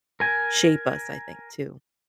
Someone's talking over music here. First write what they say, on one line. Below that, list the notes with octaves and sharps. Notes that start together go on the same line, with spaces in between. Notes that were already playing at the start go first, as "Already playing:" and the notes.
shape us, I think, too.
A#4 G#5